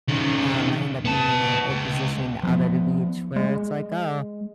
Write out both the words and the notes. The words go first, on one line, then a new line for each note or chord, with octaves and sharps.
um, I end up being in a a position out at the beach, where it's like, "Oh,
D#3 C#4
B3 A5
C#2
F3 B3
G#3